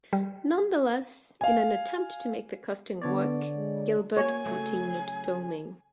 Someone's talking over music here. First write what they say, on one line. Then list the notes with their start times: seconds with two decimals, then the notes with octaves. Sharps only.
Nonetheless, in an attempt to make the casting work, Gilbert continued filming.
0.13 G3
1.41 F5 G#5
3.02 D3 B3 C#5 D5
3.55 G#3
4.17 A#3 C#5 G#5
4.45 C#3 F#3 A3